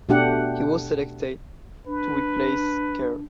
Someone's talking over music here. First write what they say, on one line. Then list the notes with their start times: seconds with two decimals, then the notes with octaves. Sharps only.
He was selected to replace Kher.
0.09 B2 A3 D4 G4 F#5
1.87 D4 B4